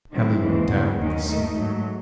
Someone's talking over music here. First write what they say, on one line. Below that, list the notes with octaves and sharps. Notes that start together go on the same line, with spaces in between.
Helen looked out at the sea.
D#3 F#3 C4 E4
D#2 C#3 E3 G#3 C4
E2 C#3 F#3
D#2 D#3 F#3 C#4
D#3 A3 D#4
G#2 F#3 A3